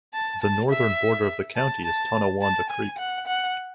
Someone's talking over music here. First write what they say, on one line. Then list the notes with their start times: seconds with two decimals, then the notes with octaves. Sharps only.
The northern border of the county is Tonawanda Creek.
0.14 A5
0.42 A5
0.70 E5
1.56 A5
1.84 A5
2.41 A5
2.70 G#5
2.99 F#5
3.27 F#5